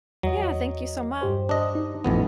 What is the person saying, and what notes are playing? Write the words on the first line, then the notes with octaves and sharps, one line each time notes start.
Yeah, thank you so much,
E2 F#3 D#5
G2 G4 C5
D4 D#5
D#4
A1 F2 B3